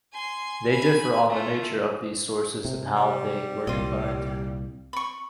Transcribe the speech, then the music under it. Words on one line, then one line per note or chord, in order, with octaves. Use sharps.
They differ on the nature of these sources and how they were combined.
G#5 C6
G#5 B5
A3 F4
C3
G3
C2 A#2 F4 D#5
B5 C#6